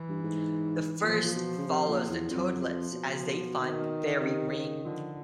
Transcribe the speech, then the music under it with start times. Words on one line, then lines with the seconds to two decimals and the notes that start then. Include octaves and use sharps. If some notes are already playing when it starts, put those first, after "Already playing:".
The first follows the Toadlets as they find the Fairy Ring.
Already playing: E3
0.09 G2
0.24 G#2
1.03 A#2 F3
1.24 A#2
1.35 B2
1.58 C#3
1.67 C3
1.88 A#2
2.09 E2
2.31 F2 F#3
2.62 F3
2.93 B2
3.58 D#3
4.21 C3
4.47 C3
4.52 C#3
4.84 D3 F3